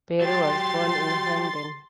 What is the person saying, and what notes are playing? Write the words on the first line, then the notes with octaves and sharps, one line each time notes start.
Berry was born in Hendon.
F#3 G4 C6 A6